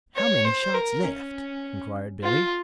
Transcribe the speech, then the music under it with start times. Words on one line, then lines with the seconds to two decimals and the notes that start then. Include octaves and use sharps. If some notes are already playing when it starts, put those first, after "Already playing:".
"How many shots left?" inquired Billy.
0.16 C#5
0.45 C5
0.74 A#4
1.03 C#4
2.23 F4